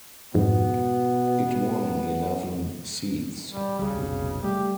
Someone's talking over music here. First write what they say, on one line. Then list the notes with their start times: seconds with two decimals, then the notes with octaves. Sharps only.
It won eleven seats.
0.34 F2 G#2 B2 B3
3.52 G3
3.79 C#2 C#3 G3
3.97 F1 B1 B2
4.43 G3 A3 G4